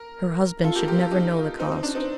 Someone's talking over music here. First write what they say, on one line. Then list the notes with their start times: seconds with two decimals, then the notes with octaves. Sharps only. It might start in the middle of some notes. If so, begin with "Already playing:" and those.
Her husband should never know the cost.
Already playing: A#4
0.64 F4 A4
0.76 G4 A#4
0.88 G4 A#4
1.00 F4 A4
1.11 D#4 G4
1.60 C4 D#4
1.71 C4 D#4
1.83 D4
1.95 C4 D#4